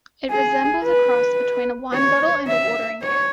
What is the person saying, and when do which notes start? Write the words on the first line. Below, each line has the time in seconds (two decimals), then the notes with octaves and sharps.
It resembles a cross between a wine bottle and a watering can.
0.31 G#4
0.84 B4
1.93 C#5
2.47 E5
3.02 C#5